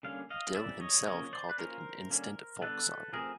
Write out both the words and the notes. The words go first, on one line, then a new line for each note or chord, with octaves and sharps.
Dill himself called it an instant folksong.
D3 G3 A#3 C#4 F5
D#5 F5
E3 G3 C4 D5 E5
C#5 D#5
C#3 F3 A#3 C#4 C#5 D#5
C5 D5
B4
F3 A#3 C#4 A#4 C5
D3 G3 A#3 C#4
D3 G3 B3 A4 B4
F3 A3 C4 G#4 A#4